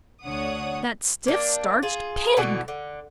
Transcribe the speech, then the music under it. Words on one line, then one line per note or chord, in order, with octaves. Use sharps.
'That stiff-starched PIG!'
D2 D3 D4 C#5 F#5 D#6
A#3 D4 G4
F4 G#4
B2 D3 E3 F#4
D3